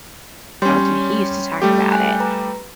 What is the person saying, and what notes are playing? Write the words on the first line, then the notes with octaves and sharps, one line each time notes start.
Thrones," and he used to talk about it.
G3 C#4 C#5 C6 G6
G3 A3 G4
G5 G#5 F#6
B4 A#5